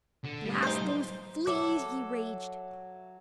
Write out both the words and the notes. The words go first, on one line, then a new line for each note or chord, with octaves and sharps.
"Blast those fleas!" he raged.
D3
A2 G3
D#4 C5
F#3 A4 C#5 E5 D6